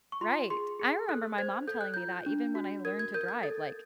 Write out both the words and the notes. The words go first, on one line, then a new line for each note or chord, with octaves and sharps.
Right. I remember my mom telling me that even when I learned to drive, like,
C#6
F4 C6
G#4 C6
G#4
A4 F#6
C5 G#6
A4 G6
F#6
F4 G6
D4
F#4
A#4 G#6
G#6
A#4 G6
G#6
A4 A6